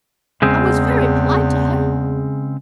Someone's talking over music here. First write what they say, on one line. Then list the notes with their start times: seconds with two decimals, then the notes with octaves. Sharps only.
I was very polite to her.
0.42 E2 C#3 G#3 C4